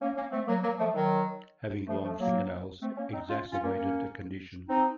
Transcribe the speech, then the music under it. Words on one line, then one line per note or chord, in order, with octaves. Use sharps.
Having long fingernails exacerbated the condition.
A#3 C#4
A#3 C#4
A3 C4
F#3 A#3
F#3 A#3
F3 A3
D#3 F#3
F3 A3
F3 A3
F#3 A#3
A3 C4
A#3 C#4
C4 D#4
C#4 F4
C#4 F4
A#3 C#4
A#3 C#4
C4 D#4